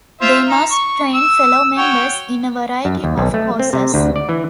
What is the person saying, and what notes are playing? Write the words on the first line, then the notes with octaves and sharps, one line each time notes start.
They must train fellow members in a variety of courses.
F4 C5 E5
D#4
C#6
E6
F#4 C#5 G5
F#2
D#2
B1
A3
C4
C3
D2
D5
E3